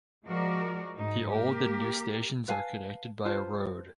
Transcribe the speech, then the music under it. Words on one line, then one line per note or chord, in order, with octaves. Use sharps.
The old and new stations are connected by a road.
F3 G#3 F#4 A#4 D5
G#2 D#4
A#3 G4 A#4
B4 F5 G#5 A5
F4 B4 C5 A5